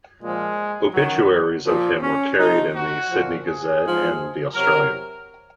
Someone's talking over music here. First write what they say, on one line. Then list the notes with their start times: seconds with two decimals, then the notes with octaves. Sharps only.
Obituaries of him were carried in the "Sydney Gazette" and "The Australian".
0.21 A#2 F3 G#3
0.93 F#2 D#3 F#3
1.65 A#2 F3
2.01 C#4
2.37 C3 F3 D#4
2.74 F#4
3.10 A#2 F3
3.46 G#4
3.82 G#2 F3
4.55 C3 F#3 A#4